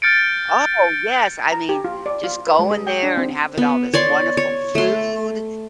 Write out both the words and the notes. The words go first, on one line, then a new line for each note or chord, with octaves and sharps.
Oh, yes, I mean just going there and having all this wonderful food,
F6 G6 A6 C#7 D7
A#5
G4
F4
D5
F4
B4
G#3
G#4
G5
D4
C4
B3
C#5 D5 C6
C#5
A3 C6